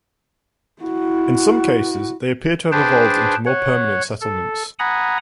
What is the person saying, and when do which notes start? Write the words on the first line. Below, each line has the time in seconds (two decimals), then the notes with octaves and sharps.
In some cases, they appear to have evolved into more permanent settlements.
0.82 E4 F#4
2.72 D4 G#4 B4 C5 G5 A5
3.46 C#5 F#5
4.21 A4
4.79 F#5 G#5 A#5 B5 D#6